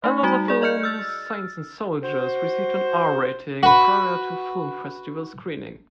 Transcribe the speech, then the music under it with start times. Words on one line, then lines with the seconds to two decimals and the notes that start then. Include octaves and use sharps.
Another film, "Saints and Soldiers" received an R-rating prior to film festival screening.
0.04 A3 D#4
0.23 G3 D#4 F#4
0.48 G#4 D5
0.62 D5 D#5 F6 G6 C#7
0.83 E6 F6 A6
2.03 F#4 C5
3.63 F#4 B4